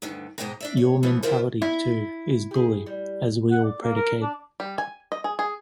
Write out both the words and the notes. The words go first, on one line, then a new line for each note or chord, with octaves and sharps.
Your mentality, too, is bully, as we all predicate.
D2 G2 D3 D#3
G#2 B2 G#3 D#5 G5 A#5
D4 D5 E5
C#5
B2 E3 F3 G3 B3
D3 E4 F4 A#4 C5
E4
G4 G#4
G3
F#5
D5
A#3
A#4
D4
G3
G#5
D#5
G#4
G#4